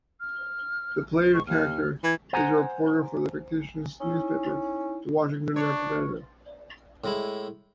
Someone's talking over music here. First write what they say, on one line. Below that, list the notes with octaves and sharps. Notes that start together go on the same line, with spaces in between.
The player's character is a reporter for the fictitious newspaper "The Washington Representative".
F6
G#2 C#6
D#2 F6
E3 G#6
C5 F#5 G#5 A#5
C#4 D#4 E4
D4 C#5
A2 G#3 E4